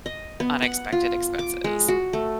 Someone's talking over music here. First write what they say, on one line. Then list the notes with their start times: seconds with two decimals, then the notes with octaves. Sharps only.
unexpected expenses.
0.06 D#5
0.40 B3
0.62 F#5
0.92 F4
1.39 D6
1.64 G#3
1.88 F#4
2.13 A3